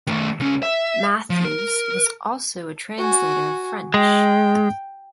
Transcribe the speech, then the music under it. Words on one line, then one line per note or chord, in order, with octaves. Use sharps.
Mathews was also a translator of French.
D#3 A3
C#2 C#4
E5
F3
A#4
F#4 G#5
G#3 G5